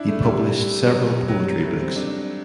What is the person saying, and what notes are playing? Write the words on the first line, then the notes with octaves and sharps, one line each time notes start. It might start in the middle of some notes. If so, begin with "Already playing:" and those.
He published several poetry books.
Already playing: D4 E4
A3
G3
F#3
G3
F#3
F#3
G3
A3
C4
D4